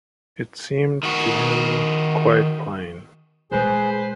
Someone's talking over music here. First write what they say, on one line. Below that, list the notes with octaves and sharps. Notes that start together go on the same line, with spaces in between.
It seemed to him quite plain.
D#3 F#4
A#2 G#3 G#4 B4 C5